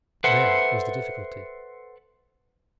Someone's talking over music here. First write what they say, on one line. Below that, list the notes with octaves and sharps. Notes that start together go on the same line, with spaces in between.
There was the difficulty.
A4 B4 C5 E5 F#5